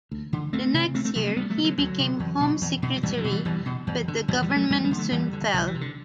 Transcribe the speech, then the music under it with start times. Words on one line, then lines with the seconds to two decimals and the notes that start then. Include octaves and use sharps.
The next year, he became Home Secretary, but the government soon fell.
0.11 D2
0.33 D3
0.53 D2 A3 C4
0.74 C3
0.94 D2 A3 C4
1.05 A3 C4
1.15 C3 F#3 A3
1.26 F#3 A3
1.36 D2 G3 B3
1.50 F#3 A3
1.57 C3
1.64 D3 F#3
1.78 D2 D3 F#3
1.99 C3
2.20 E2
2.41 B2
2.61 E2
2.83 B2
2.96 F#3
3.03 E2 E3 G3
3.17 D3 F#3
3.24 B2
3.31 E3 G3
3.45 E2 E3 G3
3.66 B2
3.87 E2
4.08 D3
4.28 E2 D3 F#3
4.42 E3 G3
4.50 D3
4.56 F#3 A3
4.70 E2 G3 B3
4.84 G3 B3
4.91 D3
4.98 F#3 A3
5.12 E2 E3 G3
5.33 D3
5.54 C2 D3 F#3
5.67 E3
5.75 C3
5.81 D3